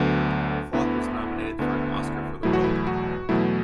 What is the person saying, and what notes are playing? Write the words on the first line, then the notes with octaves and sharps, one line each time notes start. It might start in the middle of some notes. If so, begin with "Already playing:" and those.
Falk was nominated for an Oscar for the role.
Already playing: D2 D3 F#3 B3
D2 D3 B3 E4
D2 D3 B3
E2 B2 F#3 A3 E4
F#4
E4
F#4
E2 B2 F#3 A3 E4